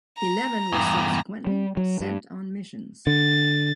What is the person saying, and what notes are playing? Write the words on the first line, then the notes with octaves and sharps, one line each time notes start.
Eleven were subsequently sent on missions.
A#5
E2 G2
G3
F#3
G2
D3 A6